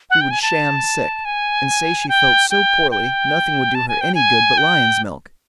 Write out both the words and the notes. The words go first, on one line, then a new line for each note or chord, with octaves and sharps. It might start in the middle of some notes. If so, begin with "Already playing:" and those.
She would sham sick, and say she felt so poorly, nothing would do her any good but lion's milk.
F#5
G5
G#5
A5
G#5
G5
G5
G5
A5
G#5
G5
G#5
G5